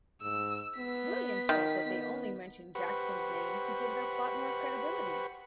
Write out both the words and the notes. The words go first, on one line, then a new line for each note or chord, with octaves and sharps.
Williams said that they only mentioned Jackson's name to give their plot more credibility.
G#2 E6
B3 B6
D#3
B3
G4 B4 C5 F#5 B5 C#6